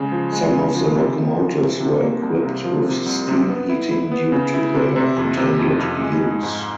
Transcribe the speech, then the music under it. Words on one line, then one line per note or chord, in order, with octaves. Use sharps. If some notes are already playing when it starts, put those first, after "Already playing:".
Some of the locomotives were equipped with steam heating due to their intended use.
Already playing: C#3 G#3
F3
G#3
C#3
F3
C3
C3
F3
C3
C3
A#3
C2
C3
F3
C3
C2
C3
B3
E4
E4
B3
C#3
E4
C3
C3
F2
C3
F2
F2
G#3
G#3
G#2